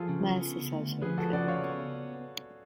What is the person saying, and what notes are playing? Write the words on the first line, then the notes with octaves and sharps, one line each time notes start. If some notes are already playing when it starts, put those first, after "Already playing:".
Mells is also included.
Already playing: F3 F4 G#4 A4
C#3
B3
D2
F3 G#4 B4
F#4 A4
C#3 D5 F#5
C#5 F5
B3